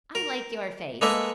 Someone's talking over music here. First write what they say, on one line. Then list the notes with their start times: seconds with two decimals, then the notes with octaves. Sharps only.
I like your face.
0.15 A#4
1.01 G#3 A#3 A4 B4 D#5 E5